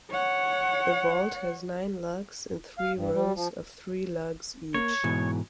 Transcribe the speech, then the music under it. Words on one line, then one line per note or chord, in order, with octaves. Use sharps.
The bolt has nine lugs in three rows of three lugs each.
C#5 F#5
F5
G2
G3
F3
A#3 C#5
G#2 B2 E3